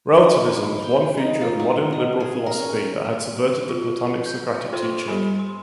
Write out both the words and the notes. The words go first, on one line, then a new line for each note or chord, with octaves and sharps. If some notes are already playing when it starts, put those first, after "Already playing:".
Relativism was one feature of modern liberal philosophy that had subverted the Platonic-Socratic teaching.
D#4
D3
E4
G5
D#4
F4
F#3
D#5
G#4
A#4
C#4
F4
G6
F5
F4 A4 C5 G5 C6
G3 G4 A4 G#5 B5
C6